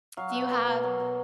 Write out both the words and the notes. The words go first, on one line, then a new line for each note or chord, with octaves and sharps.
Do you have
F#3 F5
B2 F#5
F5
B2 A#4
B2
F#3
B2